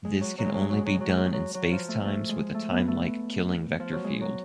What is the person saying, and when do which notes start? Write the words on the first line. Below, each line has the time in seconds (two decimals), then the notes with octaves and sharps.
This can only be done in spacetimes with a timelike Killing vector field.
0.05 G#3
0.21 F#3
0.38 F#3
0.46 G#3
0.54 F#3
0.61 G#3
0.69 F#3
0.77 G#3
0.86 F#3
0.93 G#3
1.00 F#3
1.09 G#3
1.16 F#3
1.25 G#3
1.33 F#3
1.54 F#3
1.72 F3
1.88 A3
2.05 A3
2.29 G#3
2.54 A3
2.71 B3
2.88 A3
3.80 F3
3.93 F#3
4.04 G#3
4.21 F#3